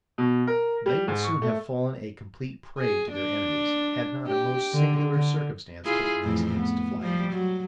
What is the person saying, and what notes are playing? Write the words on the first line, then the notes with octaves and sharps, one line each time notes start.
They would soon have fallen a complete prey to their enemies, had not a most singular circumstance put the Mexicans to flight.
B2
A#4
G3
G#2
C#6
A3
G#4
D4
G4
D3
D3
E4 F4 G#4
F2 A2 E3
B3
F3 G3
F#3